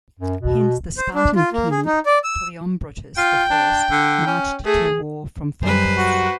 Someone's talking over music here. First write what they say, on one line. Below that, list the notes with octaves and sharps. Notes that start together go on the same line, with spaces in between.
Hence, the Spartan king, Cleombrotus the First, marched to war from Phocis.
F#2
B2
C5
D4
F4
A#3
G#4
D#4
D5
E6
F4 G5
D4
D3
C#4
A3 G#4
F#2 G3 B4 C5
F#4